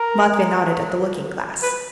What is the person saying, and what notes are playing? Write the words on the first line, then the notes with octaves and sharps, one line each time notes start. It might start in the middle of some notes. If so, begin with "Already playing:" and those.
Matvey nodded at the looking-glass.
Already playing: A#4
B4